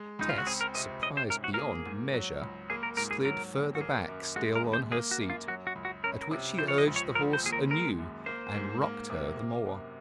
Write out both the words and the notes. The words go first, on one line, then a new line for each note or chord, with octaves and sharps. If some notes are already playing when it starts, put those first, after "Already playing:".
Tess, surprised beyond measure, slid farther back still on her seat, at which he urged the horse anew, and rocked her the more.
Already playing: G#3
C#2 D#4
F4
F#4
C4 G#4
A#4
C3 D#5
C#4 D#5
C5
G#2 A#4
F#4
A#4
A#3 G#4
G#2
F#3
C#2
A#3 G#4
A#4
G#2 A#4
G#4
F#3 A#4
D#2
F#4
A#3 G#4
F#2
G#3 F#4
A#4
D#2
C5
A#3 G#4
F#4
F#2
F4
F#3 F#4
F#4
C#2
F#4
C#4 A#4
A#4
C3
F3 C5
C#5
D#5
C#2
C#5
F3 A#4
C5
D#2 G#4
A#4
G#3 A#4
F#2
A#3 C5
G#2
A#3
C3
A#3
F#2